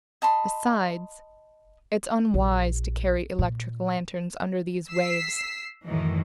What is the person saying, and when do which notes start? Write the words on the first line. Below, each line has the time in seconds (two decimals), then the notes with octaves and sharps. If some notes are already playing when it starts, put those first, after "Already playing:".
Besides, it's unwise to carry electric lanterns under these waves.
0.22 D#5 A5 B5 C6
2.34 A#1
3.39 A#2
4.89 E6 B6 C7
5.86 F#2 A2 D#3 E3